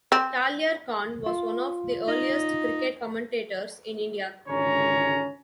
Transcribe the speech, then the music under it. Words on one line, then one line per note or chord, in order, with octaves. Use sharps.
Talyarkhan was one of the earliest cricket commentators in India.
C4
F4
D#4
G#1 C#2 D3 C#4 C#5 A#5